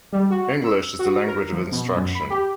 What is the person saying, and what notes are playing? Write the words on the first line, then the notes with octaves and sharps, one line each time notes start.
English is the language of instruction.
G3
F#4
E6
F#4
A#4
F3
B2
F#2
B5
G4